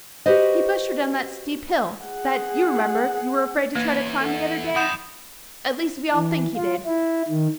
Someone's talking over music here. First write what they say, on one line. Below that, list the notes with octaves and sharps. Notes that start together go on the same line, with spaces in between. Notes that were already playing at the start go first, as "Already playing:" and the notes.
"He pushed her down that steep hill that you remember you were afraid to try to climb the other day; at least we all think he did."
F#4 G4 B4 C5 D#5
G#4 F#5
E2 A#3 B4 G#6
A4 F#5
F2 F#5 B5 D#6 G6 E7
E3
F4
E4
D#3